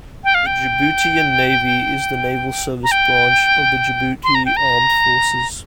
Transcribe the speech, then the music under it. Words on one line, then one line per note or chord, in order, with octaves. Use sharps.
The Djiboutian Navy is the naval service branch of the Djibouti Armed Forces.
G5
F5
G5
A#5
G5
C6
A#5
G5
A#5